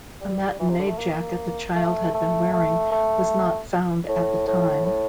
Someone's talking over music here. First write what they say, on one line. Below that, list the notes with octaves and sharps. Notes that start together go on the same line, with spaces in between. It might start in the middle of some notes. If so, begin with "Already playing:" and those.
A matinee jacket the child had been wearing was not found at the time.
G3
E3
C3
D3
A3
A#3
A3
A3
A3
A3
A2
A2
A2